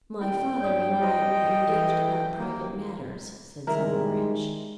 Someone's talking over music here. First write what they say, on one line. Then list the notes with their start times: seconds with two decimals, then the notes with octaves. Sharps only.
"My father and I were engaged about private matters," said Silverbridge.
0.21 D#1 E4 G5
0.60 G2 C#5 D5 D#6
1.01 G3 E4 C5 D#5 C6
1.68 E3 A4
2.38 D#2 A#3
3.67 D#3 G3 G#3 E4 A#4